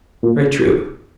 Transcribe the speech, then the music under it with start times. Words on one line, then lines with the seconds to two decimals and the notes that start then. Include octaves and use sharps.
Very true.
0.23 A#2